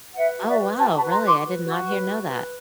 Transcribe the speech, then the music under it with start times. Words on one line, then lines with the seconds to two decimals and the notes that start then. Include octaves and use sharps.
Oh, wow, really, I did not hear know that.
0.15 B4 E5 F#5
0.38 F#4
0.48 D5 E5
0.58 B4
0.80 F#4 G5 A5
0.95 A5 B5
1.00 B4
1.10 A#5 C6
1.22 F#4 C6 D6
1.43 B4
1.64 F#4
1.85 B4
2.05 F#4
2.27 B4